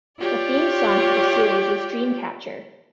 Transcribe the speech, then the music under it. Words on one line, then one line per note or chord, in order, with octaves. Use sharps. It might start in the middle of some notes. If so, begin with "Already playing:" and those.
The theme song for the series is Dream Catcher.
F4 G4 C#5 D5